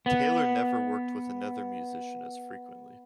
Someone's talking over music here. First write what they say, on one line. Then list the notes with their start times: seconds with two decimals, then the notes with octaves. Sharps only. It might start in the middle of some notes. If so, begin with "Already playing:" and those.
Taylor never worked with another musician as frequently.
0.06 B3